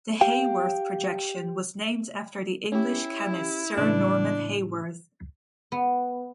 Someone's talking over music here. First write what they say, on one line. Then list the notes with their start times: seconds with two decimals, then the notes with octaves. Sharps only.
The Haworth projection was named after the English chemist Sir Norman Haworth.
0.21 G4 F5 G5
2.72 C#4 E4 G4
3.77 A2 C#3 E3 D4
5.72 B3